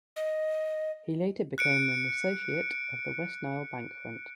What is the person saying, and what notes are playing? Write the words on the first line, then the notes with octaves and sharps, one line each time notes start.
He later became an associate of the West Nile Bank Front.
D#5
F#6 C#7 D7